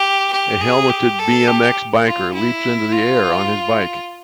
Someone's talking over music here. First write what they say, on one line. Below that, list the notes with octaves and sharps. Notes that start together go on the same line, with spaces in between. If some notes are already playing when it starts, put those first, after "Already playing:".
A helmeted BMX biker leaps into the air on his bike.
Already playing: G4
G4
G#4
G4
A4
G4
F4
E4
F4